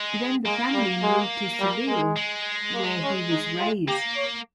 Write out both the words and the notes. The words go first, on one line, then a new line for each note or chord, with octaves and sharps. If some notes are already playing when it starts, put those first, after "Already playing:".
Then the family moved to Seville, where he was raised.
Already playing: G#3
G#3 A#3
G3
G#3
G3
G#3
G#3
A#3
C#4
D#4
F4
A#3 G4
C#5